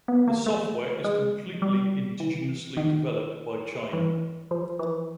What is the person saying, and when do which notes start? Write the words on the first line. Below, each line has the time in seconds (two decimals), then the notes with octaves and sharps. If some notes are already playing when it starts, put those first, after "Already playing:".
The software is completely indigenously developed by China.
0.08 B3
0.28 A#3
0.46 A3
1.04 G#3
1.62 G3
2.20 E3
2.77 D#3
3.93 E3
4.51 F3
4.79 E3